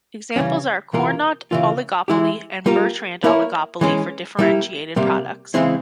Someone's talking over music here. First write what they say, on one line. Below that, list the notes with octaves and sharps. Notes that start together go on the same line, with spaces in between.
Examples are "Cournot oligopoly", and "Bertrand oligopoly for differentiated products".
C#3 E3 G3 C#4
C3 E3 A#3 F4 A#4
C#3 E3 A#3 F4
E3 G#3 E4 G4
G3 A#3 F4 A#4
A#3 E4 A#4 C#5
E3 G#3 C#4
G3 A#3 E4
C3 G3 A#3
C#3 E3 G#3 C4 E4